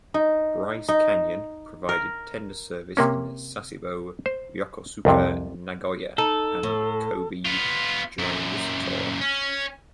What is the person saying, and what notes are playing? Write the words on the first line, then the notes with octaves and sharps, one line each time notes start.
"Bryce Canyon" provided tender service in Sasebo, Yokosuka, Nagoya, and Kobe during this tour.
D#4
D#4
A#4
C3 A#3 C#4
C5
C2 F2 C3
D#4 A4
A2
B3 F4
F#2 A#2
C#4